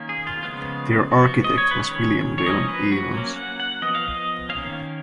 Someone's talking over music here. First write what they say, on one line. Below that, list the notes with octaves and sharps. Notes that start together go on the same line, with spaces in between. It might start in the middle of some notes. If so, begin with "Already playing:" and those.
Their architect was William Delme-Evans.
Already playing: D#3 A#3 C#4
G#4
F4
C#3 F3 G#3 B3 F4
F3 B3 F#4
D#5
C#5
B4
D#3 G#3 C#4 C#5
C#5
F3 A#3 C#4 D#5
B4
F#4
F#3 A#3 C#4
F#5
F#5
F3 B3 D#5
F5
D#5
D#3 A#3 C#4 F5